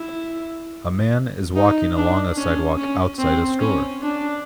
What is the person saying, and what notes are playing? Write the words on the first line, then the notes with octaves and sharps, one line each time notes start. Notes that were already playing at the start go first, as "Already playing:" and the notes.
A man is walking along a sidewalk outside a store.
Already playing: E4
D#4
D4
C#4
C#4
C4
C#4
D4